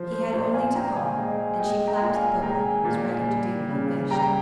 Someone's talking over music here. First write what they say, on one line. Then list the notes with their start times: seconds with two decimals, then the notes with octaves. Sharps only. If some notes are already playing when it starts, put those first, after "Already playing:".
He had only to call, and she clapped the book up and was ready to do what he wished.
Already playing: F3 C5
0.12 C5
0.33 A#2 C5
0.54 F5 G#5
0.75 A#2 G5 A#5
0.96 F5 G#5
1.17 G#3 D#5 G5
1.59 G#3 D#5 G5
1.87 G5 A#5
2.02 A#2
2.15 F5 G#5
2.43 G#3 G5 A#5
2.85 A#2
3.28 G3
3.69 C#3
4.11 G3 G5 A#5